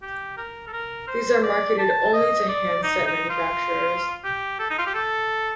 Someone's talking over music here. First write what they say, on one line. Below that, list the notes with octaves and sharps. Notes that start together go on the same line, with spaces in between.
These are marketed only to handset manufacturers.
G4
A#4
A4
A#4
C5
D5
A5
D#5
D5
D#4
D#4
F4
G4
A4
D#4
F4
G4
A4